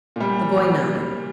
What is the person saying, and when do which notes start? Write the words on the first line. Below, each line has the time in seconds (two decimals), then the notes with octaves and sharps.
The boy nodded.
0.16 A#2 G3